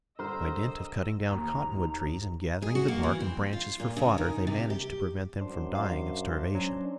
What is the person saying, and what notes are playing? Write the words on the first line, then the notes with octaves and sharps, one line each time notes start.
By dint of cutting down cottonwood trees and gathering the bark and branches for fodder, they managed to prevent them from dying of starvation.
D3 G3 A#4 C5 D5 D#5 E6
D#2 A#5
G#4
F#4
A#3
E3
C4
F4
A#2
C#3
D#3
C3
G4
F#2 D4 C5
F5
F#3 C#4